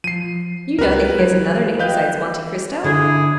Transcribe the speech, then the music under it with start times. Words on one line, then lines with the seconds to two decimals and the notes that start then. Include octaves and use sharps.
"You know that he has another name besides Monte Cristo?"
0.04 F3 C7 D#7
0.79 C#2 G4 A#4 B4
1.19 F#3 G#6
1.79 B4 D#5 F5 G5 G6
2.84 D3 E4 G#4